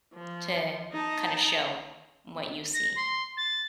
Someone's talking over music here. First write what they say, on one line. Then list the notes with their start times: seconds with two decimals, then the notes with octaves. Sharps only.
to kinda show what you see.
0.14 F3
0.92 D#4 A5
2.74 A#6
2.95 C6
3.37 A6